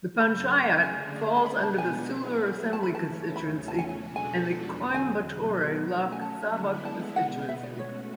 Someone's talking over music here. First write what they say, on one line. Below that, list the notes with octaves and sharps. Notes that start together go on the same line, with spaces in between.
The panchayat falls under the Sulur Assembly constituency and the Coimbatore Lok Sabha constituency.
F#2 C#3 F#3 B5
D3 A3 D4 G#4 G#5
A5
B2 G#3 B3 D4 B5
A5
G#5
F#3 B3 E4 G#4
G#2 E3 A3 C#4 E4 A5
B5
A5
E2 C#3 F#3 A3 C#4 B5
A5
G#5
G#5
B2 G#3 D4 F#4 A4
G#5
E2 D3 F#3
G#5
B2 F#3 B3 F#4
F#3 A3 C#4
G#5
A5
D3 G#3 B3 E4
A5
B2 G#3 B3 F#5
E5
D5
B2 A3 C#4 F#4 C#5